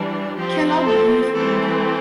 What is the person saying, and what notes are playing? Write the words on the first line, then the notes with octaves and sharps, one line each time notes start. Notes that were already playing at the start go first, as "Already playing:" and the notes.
Kellogg Youth Building.
Already playing: E3 G3 D4
F3 C4 G4
A4
E3 A3 C4 A4